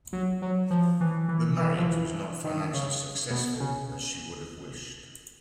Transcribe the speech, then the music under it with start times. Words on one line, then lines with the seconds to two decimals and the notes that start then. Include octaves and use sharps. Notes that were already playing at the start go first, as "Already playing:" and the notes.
The marriage was not financially successful as she would have wished.
0.13 F#3
0.42 F#3
0.70 F3
1.01 E3
1.28 E3
1.58 E3
1.77 F3
1.87 E3
2.44 D#3
2.74 C#3
3.30 B2
3.60 C#3